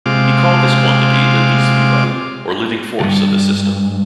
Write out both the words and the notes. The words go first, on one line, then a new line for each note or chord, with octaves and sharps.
He called this quantity the "vis viva" or "living force" of the system.
C3 G#3 F4 D6
C#2 G2